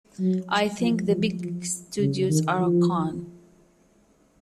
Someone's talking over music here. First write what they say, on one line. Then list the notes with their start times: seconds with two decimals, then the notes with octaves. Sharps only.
I think the big studios are a con.
0.19 F#3
0.80 F3
1.09 F3
1.39 F3
1.99 C#3
2.29 D#3
2.59 F3